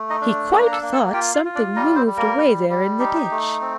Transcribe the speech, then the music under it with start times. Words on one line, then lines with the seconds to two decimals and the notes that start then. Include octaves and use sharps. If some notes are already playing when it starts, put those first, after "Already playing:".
He quite thought something moved away there in the ditch.
Already playing: A3
0.10 D#4 D#5
0.21 D4
0.52 A#3
0.66 A#5
0.72 A4 A5
0.82 A#3
0.92 A4 A5
1.13 F4 G4 G5
1.34 F4 F5
1.45 F4
1.55 D4 D5
1.76 G3 D#4 D#5
1.96 C4 C5
2.06 G3
2.17 A#3 A#4
2.37 G3
2.69 G3
2.99 D#4 G4
3.31 A3
3.61 C4